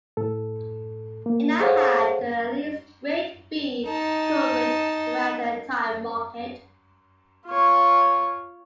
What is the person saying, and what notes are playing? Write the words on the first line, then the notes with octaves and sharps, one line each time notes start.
It now had at least Grade B coverage throughout the entire market.
A2 A4
A#3
G#4 A4 C5 C#5 F5 F#5
D#4 A5
F4 C#5